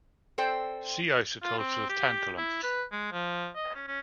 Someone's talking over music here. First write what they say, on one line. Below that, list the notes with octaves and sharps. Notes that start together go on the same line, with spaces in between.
See isotopes of tantalum.
C4 A4 C5 D5 G5
F4
C4
G4
E4
B4
G#3
F3
D#5
C#4
C#4